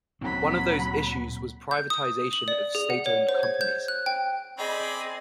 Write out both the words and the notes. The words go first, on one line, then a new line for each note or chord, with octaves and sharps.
One of those issues was privatisation of state-owned companies.
D2 A#2 F#3 C4 B5
G6
D#6
F#7
D5
G#4
F#5
C#5
C5
G#6
G6
F#6
G5
C4 G#4 D5 D#5 G5 B5